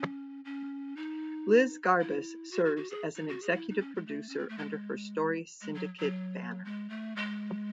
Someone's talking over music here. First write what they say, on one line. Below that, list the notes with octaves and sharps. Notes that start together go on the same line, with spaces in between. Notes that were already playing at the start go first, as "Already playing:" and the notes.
Liz Garbus serves as an executive producer under her Story Syndicate banner.
Already playing: C#4
C#4
D#4
E4
F#4
F#4
F#4
G#4
D#4
F#4
G#4
E4
D#4
C#4
G#3
A3
C#4
C4
A3
G#3
G#3
F#3
F#3
G#3
A3
G#3